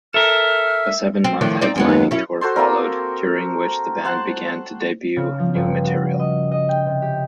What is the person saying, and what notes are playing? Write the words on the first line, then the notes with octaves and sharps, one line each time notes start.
A seven-month headlining tour followed, during which the band began to debut new material.
A4 A#4 E5 F6
C4
A2 D#3 F3 D4
C4 D#4 D5
G1 F#2 G#3 B3
D#2
F#2 C#4 E4
F#4 A4 C5 C6
A#3 C4 A4 A#4
C5 F#5 A5 C6
C#3
F3
G1
F#4
D#5
D#5
G5
C3
G4